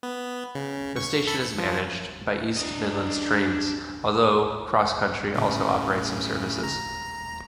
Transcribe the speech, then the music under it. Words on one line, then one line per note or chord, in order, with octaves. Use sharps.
The station is managed by East Midlands Trains although CrossCountry also operate some services.
B3
C#3
C#6
A4 B5 C#7
C#7
F3
D4 D#5
A2 C#3
A#5